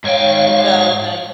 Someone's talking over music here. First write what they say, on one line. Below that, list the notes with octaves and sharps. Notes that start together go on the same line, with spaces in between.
we go I
G#2 C#5 F5 G5